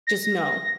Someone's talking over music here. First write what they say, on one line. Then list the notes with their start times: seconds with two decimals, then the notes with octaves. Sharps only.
Just, no.
0.07 A#6